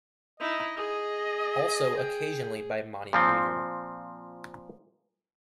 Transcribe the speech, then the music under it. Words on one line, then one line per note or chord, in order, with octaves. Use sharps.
Also, occasionally by Monty Munro.
D#4 E4 D#5
G#4 D#5
G5
A#2 F3 C4